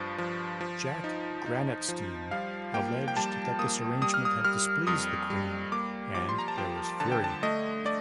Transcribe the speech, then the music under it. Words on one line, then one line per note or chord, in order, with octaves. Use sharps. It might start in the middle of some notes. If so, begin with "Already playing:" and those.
Jack Granatstein alleged that this arrangement had displeased the Queen and there was fury.
Already playing: G2 F3
F3
F3
D#4
D#4
F3
G3 F5
A#3 G5
G5
G3 A5
A#3 D#6
G3 D#6
F6
D#6
G3 F6
F2 D#6
G3
A#3 D6
F3 D6
C6
A#5
A5
F3 G5
D3 A5
G5
A5
A3 D#5
A3 D5